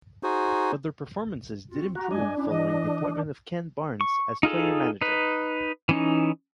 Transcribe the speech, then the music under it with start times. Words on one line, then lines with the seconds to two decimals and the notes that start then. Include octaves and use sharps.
But their performances did improve following the appointment of Ken Barnes as player-manager.
0.23 D#4 F#4 G#4 C5
1.71 C4 F4 F#4
1.95 F#4 G4 A#5
2.11 G2 G#3 D4 D#5 G#5
2.36 C#4 E4
2.50 E3 D#5
4.01 C#6
4.43 D#4 F4 G#4 A4
5.01 D#4 B4
5.89 E3 C#4 D#4